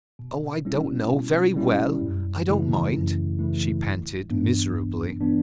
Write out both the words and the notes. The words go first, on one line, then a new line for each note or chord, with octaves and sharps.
"Oh, I don't know--very well; I don't mind!" she panted miserably.
B2
G3 C#4 E4
B2
G3 C#4 E4
F#2
C#3 E3 A3 E4
F#2
C#3 E3 A3 E4
A1
G2 E3 B3 D4
A1
E3 B3 D4